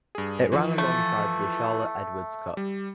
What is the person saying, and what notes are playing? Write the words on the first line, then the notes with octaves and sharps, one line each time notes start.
It ran alongside the Charlotte Edwards Cup.
G2 G#4
E3 F3
A3
G3